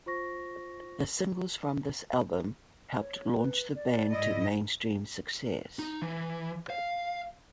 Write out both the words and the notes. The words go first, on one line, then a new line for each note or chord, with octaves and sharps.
The singles from this album helped launch the band to mainstream success.
F4 C5 C#6 A#6
C#5
B4
D5
G#2 E4 D#5
D#4
E3
F5